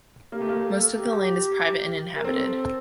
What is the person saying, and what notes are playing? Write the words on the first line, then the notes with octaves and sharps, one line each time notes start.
Most of the land is private and inhabited.
A#3 G4
A3
A#3
A4
G4
A#4
C4 A4